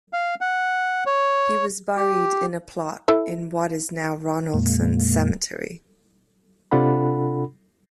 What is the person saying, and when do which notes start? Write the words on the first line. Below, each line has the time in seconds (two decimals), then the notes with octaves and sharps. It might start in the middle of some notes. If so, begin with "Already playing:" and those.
He was buried in a plot in what is now Ronaldson's Cemetery.
0.13 F5
0.41 F#5
1.06 C#5
1.97 G4
3.08 E4 A4 E5
4.54 F2 A#2 G#3 A#3
6.71 C3 D4 F4 A4 F#5 B5